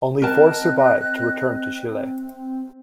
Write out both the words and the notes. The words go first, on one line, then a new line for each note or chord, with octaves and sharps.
Only four survived to return to Chile.
C4 A#4 D#5 A5 F#6